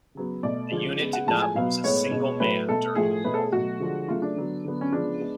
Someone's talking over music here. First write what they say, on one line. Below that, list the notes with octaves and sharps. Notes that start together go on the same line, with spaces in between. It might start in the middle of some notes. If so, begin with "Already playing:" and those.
The unit did not lose a single man during the war.
C#3 F#3 B3
B2 A3 D5
D3 F3 G#3
C#3 G#3 B3
F#5
A2 F3 G#3 A5
G#5
B2 F#3 B3 F5
A2 G#3 B3 C#5
B2 G#3 B3
A2 F#3 A3 B4
B2 A3 A4
A2 F3 A3 G#4
B2 A3 B4
A4
G#4
B2 F#3 A3 F#4
D3 F3 G#3
C#3 F#3 A3 F4
D4
D3 F#3 B3
D3 F#3 B3
C#4
C#3 F3 G#3 B3 D4
G#3 B3